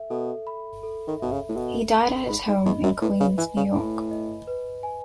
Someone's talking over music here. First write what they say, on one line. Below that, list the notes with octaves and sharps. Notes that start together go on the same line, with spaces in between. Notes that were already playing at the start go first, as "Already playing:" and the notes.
He died at his home in Queens, New York.
Already playing: A4 E5
B2 A4
B5
A4
D#3
B2 E5
C#3
A2
B2 A4
B5
G#2 B5
G#2
E2 D#5
F#2
A2 B4
C#3
E3 G#5
C#3
A2 B5
D#5
B4
G#5